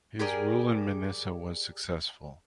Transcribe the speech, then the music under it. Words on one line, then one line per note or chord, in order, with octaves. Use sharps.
His rule in Manisa was successful.
G4 G#4 A#4 D5